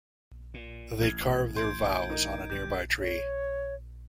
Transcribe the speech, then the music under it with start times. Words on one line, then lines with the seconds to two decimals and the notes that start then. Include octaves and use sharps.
They carve their vows on a nearby tree.
0.54 A#2
1.02 A1 G#6
1.56 C6 G6 G#6 D7
2.10 D#4 A#4
2.50 G1 G2 G4 G6
3.00 C#5